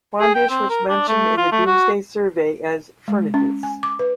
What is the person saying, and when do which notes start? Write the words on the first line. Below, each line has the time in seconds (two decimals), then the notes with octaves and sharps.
Farndish was mentioned in the Domesday Survey as 'Fernadis'.
0.20 G#4
0.35 G5
0.50 C4
0.70 A#4
0.89 D4
1.08 A3
1.37 F4
1.52 A3
1.66 F#4
3.08 G#3
3.34 C#4
3.63 G#5
3.83 D6
3.99 B4